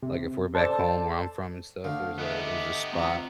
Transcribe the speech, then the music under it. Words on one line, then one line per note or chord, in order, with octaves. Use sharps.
like, if we're back home where I'm from and stuff, there's a there's a spot,
C3
A4 C5 D5 A5
D2 D3 A3 F5
B3 G4 D#5 E5 D#6 F#6
C4 F4 A#5